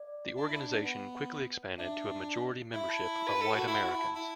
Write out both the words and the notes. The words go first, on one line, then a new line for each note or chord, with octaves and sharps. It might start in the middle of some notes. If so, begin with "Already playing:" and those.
The organization quickly expanded to a majority membership of white Americans.
Already playing: D5
D4
E4
D4
B3
D4 E5
E4 E5
A5
A5
B5
B4
A5
A4
F#4 F#5
E4 F#5
F#4 B5
E4
A5
E4 B5